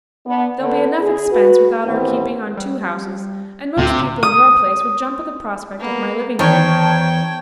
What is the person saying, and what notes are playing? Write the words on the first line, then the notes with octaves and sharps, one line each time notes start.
There'll be enough expense without our keeping on two houses; and most people in your place would jump at the prospect of my living here.
B3 D4
D3 B3
G#4
F#4 B4
D#2 A2 E3 B3 C4
G3
D2 A2 C3
D#6
A#3 B3
E2 D#3 C5 C#5 G5 A5 C#6 G#6